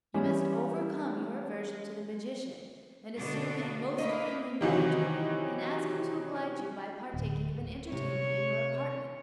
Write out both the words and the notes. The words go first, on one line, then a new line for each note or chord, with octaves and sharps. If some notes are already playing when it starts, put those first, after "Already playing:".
You must overcome your aversion to the magician, and assume a most friendly manner toward him, and ask him to oblige you by partaking of an entertainment in your apartments.
E3 G3 G#3 C#4
B2 D3 D4
A#3 E4 B4 D#5
C3 D#3 E3 F#3
D1
C3 C#5